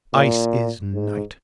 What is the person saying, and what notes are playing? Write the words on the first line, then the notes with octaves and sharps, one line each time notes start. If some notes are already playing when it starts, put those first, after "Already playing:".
Ice is night.
A#2
G#2